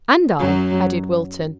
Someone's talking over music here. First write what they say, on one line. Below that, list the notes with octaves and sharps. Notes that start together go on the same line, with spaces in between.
"And I," added Wilton.
F#2 F#3